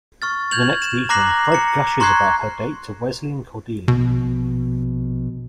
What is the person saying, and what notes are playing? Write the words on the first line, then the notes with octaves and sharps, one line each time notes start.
The next evening, Fred gushes about her date to Wesley and Cordelia.
C#6 F6 A6
G6 G#6 F7 F#7
E7
A#5 D6 F#6 A#6 C7 F#7
A#5 C#7
A#5 C6 C#6 F#6 G#6 C7
A#1 B2